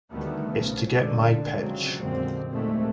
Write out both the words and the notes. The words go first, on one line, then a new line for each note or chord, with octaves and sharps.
It's to get my pitch.
D2 D3 D#3 G3 A3 B3
B1 A#2 C#3 F3
F1 A#2 D3 G#3
C#3 F3 F#3 G#3 C4
A#1 F2 A#2 D3 G#3 C4
G#1 D#2 A#2 G#3 A3 C4